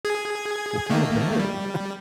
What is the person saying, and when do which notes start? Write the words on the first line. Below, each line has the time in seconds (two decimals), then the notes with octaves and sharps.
What kind of berry?
0.05 G#4 G#6
0.90 D#3 A3 A#3
1.39 G3